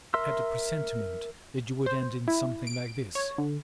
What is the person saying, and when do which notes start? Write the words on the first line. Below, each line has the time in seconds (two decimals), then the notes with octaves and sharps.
I had a presentiment that you would end in something like this.
0.14 A#4 E5 C6 E6
1.86 C5
2.28 E4
2.67 D7
3.15 C#5
3.38 D3